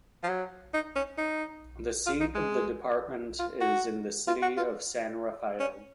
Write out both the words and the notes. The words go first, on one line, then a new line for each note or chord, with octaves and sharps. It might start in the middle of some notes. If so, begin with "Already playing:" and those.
The seat of the department is in the city of San Rafael.
F3
F#3
D#4
C#4
D#4
F4
D#4
G#3
F4
F#4
F4
F#4
F4
C#4